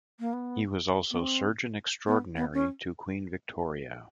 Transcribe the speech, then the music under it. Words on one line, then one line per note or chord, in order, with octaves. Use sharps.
He was also surgeon-extraordinary to Queen Victoria.
A#3
B3
B3
C4
B3
B3
C#4